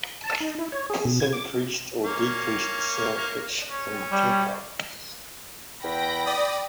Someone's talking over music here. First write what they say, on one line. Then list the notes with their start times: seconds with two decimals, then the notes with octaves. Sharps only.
This increased or decreased the sound pitch and tempo.
0.24 A5
0.40 D#4
0.59 E4
0.72 C#5
0.90 G#4
1.05 B2
1.20 G#6
1.33 D6
2.04 A#3 C#4
3.69 C#4
4.12 G3
5.84 E2 G5 B5 A#6
6.26 D5 D#6